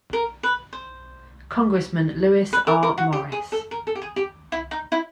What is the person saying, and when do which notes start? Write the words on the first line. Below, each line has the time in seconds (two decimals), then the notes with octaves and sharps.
Congressman Lewis R. Morris.
0.13 A#4
0.43 B4
0.73 C5
2.53 B4
2.67 A#4
2.83 A#4
2.98 F#4
3.13 G4
3.32 G#4
3.52 A4
3.71 A#4
3.87 A4
3.95 G4
4.02 G#4
4.16 G4
4.52 E4
4.71 D#4
4.92 E4